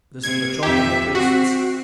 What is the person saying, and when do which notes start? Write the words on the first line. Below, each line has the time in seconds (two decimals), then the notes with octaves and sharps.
This is the chaunt of the Priests.
0.23 C3 G#6
0.63 F2 G4 E5
1.15 C4 F#4